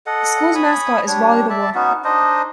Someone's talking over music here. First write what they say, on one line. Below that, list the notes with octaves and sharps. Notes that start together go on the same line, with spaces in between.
The school's mascot is "Wally the Warhawk".
A4 D#5 F#5
C#5 G#5 B5 D#6
G3 D4 C#5
D5 E5 A5
B3 C#4 D#4 F#4
D4 D#4 C5 D#5